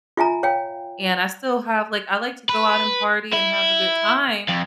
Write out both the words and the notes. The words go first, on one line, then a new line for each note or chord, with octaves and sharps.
and I still have like, I like to go out and party and have a good time,
F4 E5 G#5 A#5
C#5 F5 G5
B4
E4
F2